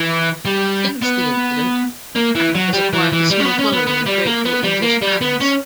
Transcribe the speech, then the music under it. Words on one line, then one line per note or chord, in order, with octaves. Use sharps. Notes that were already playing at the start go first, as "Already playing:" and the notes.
Since the incident, Pratt has acquired a small following of grateful English fans.
Already playing: E3
G3
B3
A#3
E3
F#3
G3
E3
E3
G3
C#4
B3
C#4
B3
B3
G3
A#3
B3
G3
A#3
G3
B3
C#4